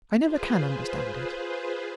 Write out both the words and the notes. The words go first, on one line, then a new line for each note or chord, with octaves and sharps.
I never can understand it.
F4 G#4 B4 C5